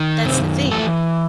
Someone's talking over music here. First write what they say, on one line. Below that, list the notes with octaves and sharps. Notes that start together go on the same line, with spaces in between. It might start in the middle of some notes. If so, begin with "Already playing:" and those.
that's the thing.
Already playing: D#3
F#2 C3 C4
E3 A3 A4